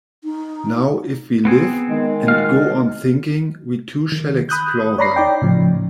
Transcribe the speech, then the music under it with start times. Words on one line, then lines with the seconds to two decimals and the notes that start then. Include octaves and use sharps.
Now if we live, and go on thinking, we too shall explore them.
0.24 D#4
1.45 B3 C4 G#4
1.89 D#3 G#3
2.28 F4 F#4 F5
4.12 D#3
4.49 B5 D#6 F#6 G6
4.98 C#5 D5 A#5 B5 A#6 C7
5.16 D#4 D5 G5
5.42 A2 C#3 F3